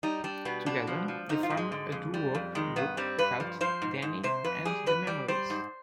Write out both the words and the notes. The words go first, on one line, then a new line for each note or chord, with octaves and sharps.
Together they formed a doo-wop group called Danny and the Memories.
G3 D#4
G3 D4
B2 B3
B2 D4
F3
F3
G#2 D#4
F4
G#2
G#3
D3
F2
G3
F2
D#3 G#3
G2 B3
G3 C4
G2 B4
F3
F3 C5
G#2
G#2
C3 C5
F2 B4
G3 G#4
F2 B4
G3 D5
G3 C5
G#2